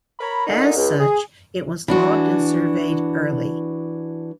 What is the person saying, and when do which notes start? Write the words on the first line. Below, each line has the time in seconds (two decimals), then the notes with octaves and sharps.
As such, it was logged and surveyed early.
0.20 A#4 C#5 A#5 B5
0.47 F#2 A#2 D3 D#3 D#4
0.77 C#2
1.01 G#4
1.88 E3 D4 F#4